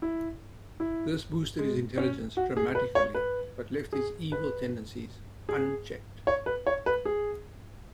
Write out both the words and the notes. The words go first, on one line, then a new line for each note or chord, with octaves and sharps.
This boosted his intelligence dramatically, but left his evil tendencies unchecked.
E4
E4
G#3
C#4
F#4
G#4
B4
C#5
B4
G#4
B4
G#4
C#5
B4
C#5
B4
G#4